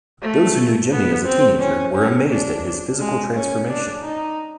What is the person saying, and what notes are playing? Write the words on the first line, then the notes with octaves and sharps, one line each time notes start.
Those who knew Jimmy as a teenager were amazed at his physical transformation.
A3
B3
C4
C#4
C#4
D4
G#3
C#4
D4
D#4